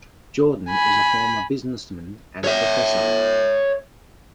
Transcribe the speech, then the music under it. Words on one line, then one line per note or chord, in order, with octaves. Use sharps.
Jordan is a former businessman and professor.
G#5 B5
C#5 E5